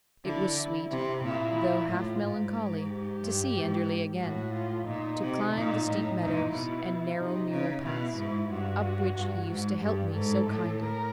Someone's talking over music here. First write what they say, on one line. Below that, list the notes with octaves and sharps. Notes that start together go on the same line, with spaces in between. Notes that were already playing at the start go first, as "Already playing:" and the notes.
It was sweet, though half-melancholy, to see Enderley again; to climb the steep meadows and narrow mule-paths, up which he used to help me so kindly.
D3 E4
E4
C3
A#2 E4
A2 F4
G#2
G4
G2
G#2
A2 F#4
F4
A#2 D#4
C3
A#2 D#4
A2
A#2 D#4
B2 E4
C3 D#4
C#3
B2 E4
G#2
G2 F#4
G2
G#2
G2 G4
G#2 A4
A2
A#4